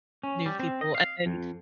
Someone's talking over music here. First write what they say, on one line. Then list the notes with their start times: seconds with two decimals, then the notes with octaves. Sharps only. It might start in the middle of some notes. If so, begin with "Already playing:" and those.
new people and then
0.23 C#4
0.46 G3
0.59 C4
0.81 D#5
0.95 F5
1.26 F2